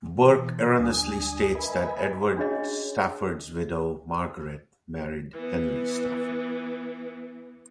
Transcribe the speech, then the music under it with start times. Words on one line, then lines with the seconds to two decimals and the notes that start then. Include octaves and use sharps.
Burke erroneously states that Edward Stafford's widow, Margaret, married Henry Stafford.
0.21 B2 E3
0.79 D2 G3 D4 G#5 D#6
1.55 A#4 B4 D#5 E5 G#5 B5
2.36 C#4 D4 F#4 G#4 C#5 D#5
5.34 E3 B3